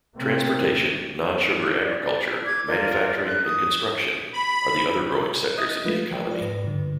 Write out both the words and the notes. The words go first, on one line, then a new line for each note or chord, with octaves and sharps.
Transportation, non-sugar agriculture, manufacturing and construction are the other growing sectors of the economy.
C3 A3 A#3 C4
D5
D6 G#6
F4 A#4 D5 D#5
F#6
D#6
B5
D#5 E5 D#6 F#6 G#6
F3 G#3 A3 F4 B4
F3 G5
F4 D5
G#2 B4 A#6
G2 D3